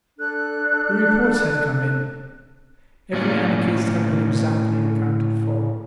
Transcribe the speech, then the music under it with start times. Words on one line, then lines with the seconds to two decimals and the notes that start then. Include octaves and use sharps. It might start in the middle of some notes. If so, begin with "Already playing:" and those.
The reports had come in: every anarchist had been exactly accounted for.
0.17 D4 A4 F#6
3.13 A2 A#3 C#4 D5